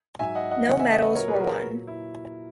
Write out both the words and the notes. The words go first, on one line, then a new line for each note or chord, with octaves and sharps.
No medals were won.
G#2 F#3 E5 G#5
D#5 F#5
D#5 F#5
E2 C#3 E3 D#5 F#5
E5 G#5
D#5 F#5
B4 D#5
A#2 F#3 A#4 C#5
G#4 B4
F#4 A#4
F#4
A#2 F#3
E4